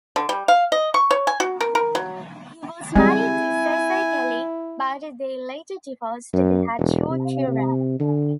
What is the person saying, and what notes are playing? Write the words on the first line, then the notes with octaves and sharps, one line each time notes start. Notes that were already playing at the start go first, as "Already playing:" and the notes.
He was married to Casey Kelley, but they later divorced; they had two children.
D3
G3
F5
D#5
C#6
C#5
G#5
F#4
A#4
A#4
F#3
G3 G#3 C4 E4 G#5
F#2
E1
C3
C3
D3